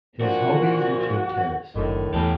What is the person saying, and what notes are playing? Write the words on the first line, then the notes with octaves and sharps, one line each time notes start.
His hobbies include tennis.
A#2 F3 D4 F#4
F#1 A2 D3 D#3
E2 A2 G4 A4